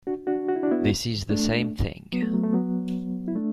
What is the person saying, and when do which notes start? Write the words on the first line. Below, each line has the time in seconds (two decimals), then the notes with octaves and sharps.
This is the same thing.
0.07 D4 F#4
0.27 D4 F#4
0.49 F#4
0.56 E4
0.63 D4
0.71 B3 E4
1.30 A3 D4
2.12 F#3 B3
2.22 A3
2.33 F#3
2.44 A3
2.53 F#3 B3
3.28 E4
3.35 A3 D4